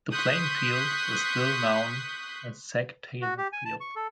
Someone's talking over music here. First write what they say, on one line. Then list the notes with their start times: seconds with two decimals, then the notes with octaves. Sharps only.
The playing field is still known as Sec Taylor Field.
0.12 C6 C#6 D#6 F#6 G6 B6
3.22 F#4
3.38 G4
3.53 G#5
3.65 A5
3.81 C#6
3.96 A4